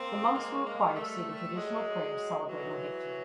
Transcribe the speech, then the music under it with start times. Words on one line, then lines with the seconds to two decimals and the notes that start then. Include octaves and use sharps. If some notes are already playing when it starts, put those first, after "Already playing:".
The monks were required to say the traditional prayer celebrating victory.
Already playing: A#3 C4
0.33 G#3 A#3
0.64 G#3 A#3
0.94 G3 A3
1.56 F#3 G#3
2.49 E3 F#3